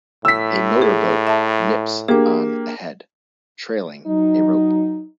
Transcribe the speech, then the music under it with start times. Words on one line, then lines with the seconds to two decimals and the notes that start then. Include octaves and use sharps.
A motor-boat nips on ahead, trailing a rope.
0.25 A2 E6 B6
0.82 G#4
1.27 E5 A5
2.08 A#3 D4 G4 G#4
4.07 F#3 D#4